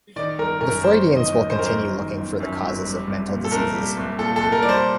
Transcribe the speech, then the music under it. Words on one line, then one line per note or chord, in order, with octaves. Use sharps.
The Freudians will continue looking for the causes of mental diseases.
D#3 D5
G1 A#4
F#2 A#4
G1 C5
D#3
D#5
G1
F#2 C5
A#4
C5
G1
D#3
G1
F#2
G1
G3
C2
A#2
A4
C2 A#4
G3
C2
A#2 A4
C2 A4
A#4
G3 D5
C5